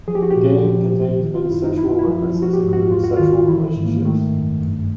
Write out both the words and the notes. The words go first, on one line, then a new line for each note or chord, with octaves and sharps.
The game contains many sexual references, including sexual relationships.
F3 G#4
G4
F#4
G4
A#2
F3
A2
D#3
F4
F#2 E4
D#4
F2 E4
F4
E4
F3
F3
F#4
G4
G#2
F#4
E2 F4
F#4
D#3 F4
E3 E4
G#2
A#3
D#3 A3
F#2
G2